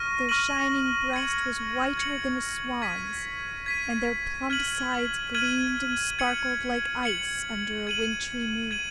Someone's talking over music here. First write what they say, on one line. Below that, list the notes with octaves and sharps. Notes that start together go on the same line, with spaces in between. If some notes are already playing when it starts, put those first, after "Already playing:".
Their shining breast was whiter than a swan's, and their plump sides gleamed and sparkled like ice under a wintry moon.
Already playing: C#6 F6 A#6 D#7
C#6 F6 A#6 D#7 F#7
G#6 C#7 F#7
G#6 C#7 F#7
G#6 B6 D#7
G#6 B6 D#7
F6 G#6 D#7 F#7
F6 G#6 D#7 F#7
G#6 C#7 F#7
G#6 C#7 F#7
G#6 D#7 F#7
G#6 D#7 F#7